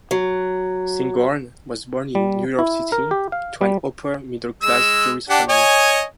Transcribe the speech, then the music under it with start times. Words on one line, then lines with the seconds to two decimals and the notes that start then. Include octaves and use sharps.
Spingarn was born in New York City to an upper middle-class Jewish family.
0.11 F#3
2.15 G3
2.59 E4
2.92 A#4
3.11 G4
3.32 F5
3.61 G3
4.63 G#3 E6
5.29 D4 G4 F#5
5.49 C#5 D#5 G#5